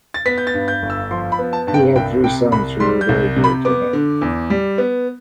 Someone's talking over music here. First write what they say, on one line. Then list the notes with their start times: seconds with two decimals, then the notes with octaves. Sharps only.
He had three sons who were very dear to him.
0.14 A6
0.26 B3 B6
0.38 G6
0.47 A6
0.54 G2
0.68 G6
0.82 G1
0.90 E6
1.11 F3 C6
1.32 B5
1.39 B3
1.53 A5
1.67 G2 A5
1.74 G5
1.95 C2 G5
2.24 C3 G5
2.52 C2 B5
2.80 G3 C6
3.01 G6
3.09 C2
3.37 C3
3.44 B5
3.65 B3 D6
3.93 D3
4.21 E2
4.50 G3
4.78 B3